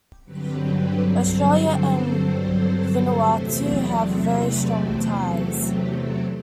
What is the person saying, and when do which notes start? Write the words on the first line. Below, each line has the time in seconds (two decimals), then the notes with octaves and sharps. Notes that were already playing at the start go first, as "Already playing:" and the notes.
Australia and Vanuatu have very strong ties.
0.24 G2 D3 F#3 C4 G4 B4
0.62 G4 B4
1.00 A4 C5
3.24 E2 C3 F#3 A3 C4 C5 E5
3.61 D5 F#5
3.99 C5 E5
4.37 B4 D5
4.74 A4 C5
5.12 A4
5.49 G4
5.87 A4